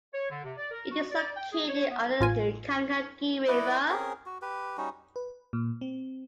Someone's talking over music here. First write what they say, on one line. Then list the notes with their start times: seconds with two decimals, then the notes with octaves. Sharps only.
It is located on the Kankakee River.
0.13 C#5
0.30 D3
0.44 C3
0.57 D5
0.71 A#4
0.91 F#4
1.10 D5
1.36 G5
1.53 G#4
1.68 C#5
1.91 B3
2.20 A1 F4 G#5
3.48 E4 B4 D5 D#5
3.89 C4 C#4 G#4 A#4
4.26 F#4
4.42 G4 B4
4.77 G3 C#4 D#4 F#4
5.16 B4
5.53 A#2
5.81 C4